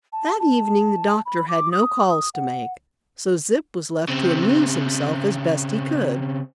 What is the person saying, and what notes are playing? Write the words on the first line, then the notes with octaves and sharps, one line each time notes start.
That evening the doctor had no calls to make, so Zip was left to amuse himself as best he could.
A5
A5
B5
D6
D#6
D#6
F#5
C#3 C4